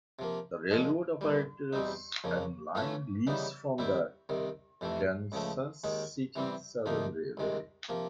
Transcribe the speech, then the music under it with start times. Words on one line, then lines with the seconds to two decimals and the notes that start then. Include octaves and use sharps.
The railroad operates an line leased from the Kansas City Southern Railway.
0.19 C3 F3 A#3
0.71 A#2 F3 G#3
1.21 C2 A#2 G3
1.73 E2 B2 G3 C4 D#4
2.24 F2 C#3 F3 A#3
2.75 E3 A3 C#4 F4 A4
3.27 C#3 E3 G3 B3 D#4
3.78 D#2 D#3 G3 C4 E4
4.29 C2 C3 D#3
4.81 F2 C3 E3 A3
5.32 C#2 C#3 F3 A3
5.84 D#2 D#3 G#3
6.36 C3 E3 G3 C4
6.86 D2 C3 F3 A#3 D#4
7.37 C2 C3 D#3 G#3
7.89 C3 F3 A#3